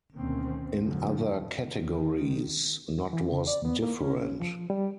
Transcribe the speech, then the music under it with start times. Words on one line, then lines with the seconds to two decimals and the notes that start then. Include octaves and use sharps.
In other categories not was different.
0.17 D2 B2 D#3 A#3 C4 C#4
0.81 F2 A#2 D3 F3 F#3
1.69 D#3
3.13 E3
3.32 C#3
3.47 D5
3.65 B3
3.82 A#3
4.02 C#4
4.40 F3
4.70 G3